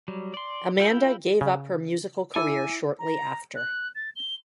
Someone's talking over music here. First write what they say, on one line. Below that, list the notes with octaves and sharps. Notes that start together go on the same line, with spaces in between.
Amanda gave up her musical career shortly after.
F#3 G3
D5 C6
E4 F4 A4 G5 B5
C#3
E4 A4 G#5 D6 E6
A#5
F#6
A6
G7